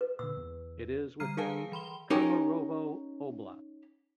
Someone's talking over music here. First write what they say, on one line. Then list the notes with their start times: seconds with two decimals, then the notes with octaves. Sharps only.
It is within Kemerovo Oblast.
0.01 B4
0.19 A#2 D3 E6
0.37 E2
1.20 D3 G3 A#5 F6 C7 D#7
1.37 G#4 A#4 B4 F5 G#5 A5
1.72 E3 B5 C6 G7
2.10 C#4 D#4 G4 A#4